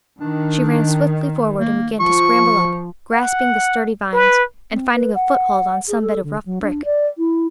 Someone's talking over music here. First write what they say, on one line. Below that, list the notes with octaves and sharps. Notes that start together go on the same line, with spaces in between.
She ran swiftly forward and began to scramble up, grasping the sturdy vines, and finding a foothold on some bit of rough brick.
D#3 D4
A#3
F3 C#6
F#5
B4
C4
B4
F#5
G#4
A4
D3
F#3
D4
D5
E4